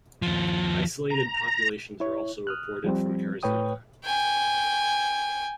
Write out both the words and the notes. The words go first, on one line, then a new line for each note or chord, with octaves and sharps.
Isolated populations are also reported from Arizona.
D#2 F3
A#5
E4 C#5
D#6 F6 F#6
F3 G3 C4
A2 B4 C#5 G5 D#6
G5 G#5